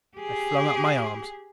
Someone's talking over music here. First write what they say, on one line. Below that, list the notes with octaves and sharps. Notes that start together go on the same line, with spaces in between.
I flung up my arms.
G4 G#4